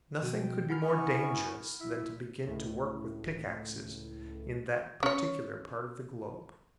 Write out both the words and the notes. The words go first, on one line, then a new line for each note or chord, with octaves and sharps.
Nothing could be more dangerous than to begin to work with pickaxes in that particular part of the globe.
B2 F3 F#4 G5
F#5 G#5 B5 F6
B3 C#4 E4 C#6
E4 E5
C#2 A2
C#4 C#5